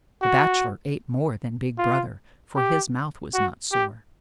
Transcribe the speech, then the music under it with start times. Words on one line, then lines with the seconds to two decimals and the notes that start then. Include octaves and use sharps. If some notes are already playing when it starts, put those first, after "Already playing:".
The Bachelor ate more than Big Brother, for his mouth was not sore.
0.22 F#4
1.78 F4
2.56 G4
3.34 F#4
3.72 G4